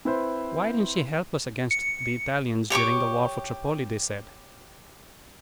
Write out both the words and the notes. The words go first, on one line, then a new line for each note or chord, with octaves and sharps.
"Why didn't she help us against the Italians during the war for Tripoli?" they said.
C4 E4 B4 C5
C#7
G4 C#5 C#6 D6